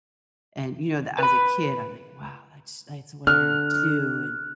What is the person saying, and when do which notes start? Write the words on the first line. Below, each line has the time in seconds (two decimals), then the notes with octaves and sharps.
And, you know, tha as a kid, I'm like, "Wow, that's that's what I wanna do, and"
1.18 B4 B5
3.27 D3 F6 F#6